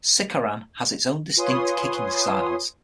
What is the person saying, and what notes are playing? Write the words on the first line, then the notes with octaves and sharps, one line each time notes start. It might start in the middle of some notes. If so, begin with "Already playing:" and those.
Sikaran has its own distinct kicking styles.
F4 B4 C#5 G#5 C6 D#6